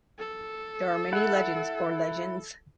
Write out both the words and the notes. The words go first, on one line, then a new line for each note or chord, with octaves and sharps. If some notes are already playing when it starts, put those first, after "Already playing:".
There are many legends or legends.
A4
E4 F#5